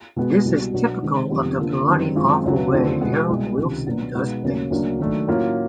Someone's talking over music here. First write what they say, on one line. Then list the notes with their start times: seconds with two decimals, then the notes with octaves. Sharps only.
This is typical of the bloody awful way Harold Wilson does things!
0.16 B2 G#3 B3
0.45 C2 B2 G3
0.74 B2 F#3 B3 D4 F#4
1.03 D#3 G#3 C4
1.30 F2 C3 D#3 G3 B3
1.58 D3 F3 A#3 D4
1.87 F#2 D#3 G3 C4
2.15 F#2 D#3 G#3 C4 F4
2.44 D2 C#3 F#3
2.72 D#2 D3 F3 A3 C4
3.01 B2 G#3 B3
3.28 C2 B2 G#3
3.58 C#2 C3 D#3
3.86 B2 F#3 B3 D4
4.14 B2 G#3 B3 D#4
4.42 D#2 C#3 F#3 A#3 C#4
4.71 D2 C#3 F#3 A#3 D4
4.99 D#3 F#3 A3 D4
5.28 A2 F#3 A#3 C#4 F4